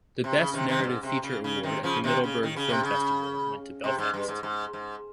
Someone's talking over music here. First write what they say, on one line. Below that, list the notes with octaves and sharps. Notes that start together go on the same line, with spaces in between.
The Best Narrative Feature award at the Middleburg Film Festival went to "Belfast".
C3
C#3
C3 D#3
C3 D#3
G2
G#2
C3
C#3
C#3
C3 D#3
C#3 F3
C3 D#3
C#3
D#3
C#3
C3
C#3
C3
G#2
G2
G#2
G#2
G#2